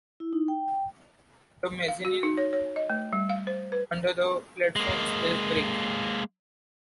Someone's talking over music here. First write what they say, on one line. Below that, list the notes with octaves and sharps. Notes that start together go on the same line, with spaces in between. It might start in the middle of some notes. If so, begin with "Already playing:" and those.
The mezzanine under the platforms is brick.
E4
D#4
G5
F5
F#4
D#4
C#5
C#5
D#5
A3
G3
F5
C5
B4
G#3 A#3